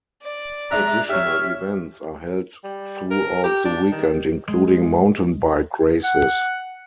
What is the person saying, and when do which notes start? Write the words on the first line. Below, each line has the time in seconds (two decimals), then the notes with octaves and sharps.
Additional events are held throughout the weekend including mountain bike races.
0.22 D5
0.71 G#3 D4 E5 A#5 F#6
1.09 G4 C#5 E5 F6
2.64 G3
3.11 A#4
3.44 G4
3.65 D4
3.92 D#3
4.48 G#3
6.04 F#5